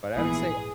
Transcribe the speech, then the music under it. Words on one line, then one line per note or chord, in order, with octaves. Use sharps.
But I would say
A#1 G#2 E3 B3 G#4